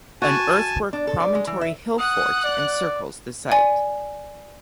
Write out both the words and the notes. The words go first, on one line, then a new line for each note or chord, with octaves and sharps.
An earthwork promontory hill fort encircles the site.
F#4 G#5 A5
D4
A4
D5
G#3
E3
E5
F#5 D#6 F#6
D5
D5 G#5